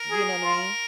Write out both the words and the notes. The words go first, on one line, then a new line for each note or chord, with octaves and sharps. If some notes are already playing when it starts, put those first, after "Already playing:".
you know, what I mean?
Already playing: A#4
G#4
F4